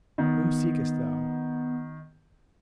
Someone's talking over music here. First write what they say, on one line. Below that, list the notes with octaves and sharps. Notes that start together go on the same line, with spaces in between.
"Whom seekest thou?"
D#3 B3